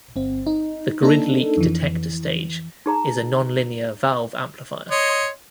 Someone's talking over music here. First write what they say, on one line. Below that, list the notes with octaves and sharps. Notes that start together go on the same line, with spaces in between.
The grid leak detector stage is a non-linear valve amplifier.
G1 C4
D#4
A#3 D4 D#4 A4
F2 E3
D#4 G#4 A#5
C#5 D#5 C6